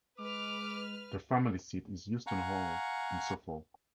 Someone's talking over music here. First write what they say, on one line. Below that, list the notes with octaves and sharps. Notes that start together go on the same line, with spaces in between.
The family seat is Euston Hall in Suffolk.
G#3 B4 D6 F6
F5 F#5 G#5 A#5 C#6 F#6